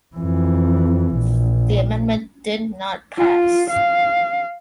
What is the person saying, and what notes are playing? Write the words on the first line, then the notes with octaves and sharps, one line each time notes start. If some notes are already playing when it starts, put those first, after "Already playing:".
The amendment did not pass.
F2 E3
A#1
F4
F5